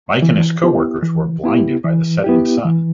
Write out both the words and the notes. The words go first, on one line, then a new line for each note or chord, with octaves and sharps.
Mike and his coworkers were blinded by the setting sun.
E3
B3 E4 G4
E3
B3 E4 G4
E3
B3 E4 G4
E3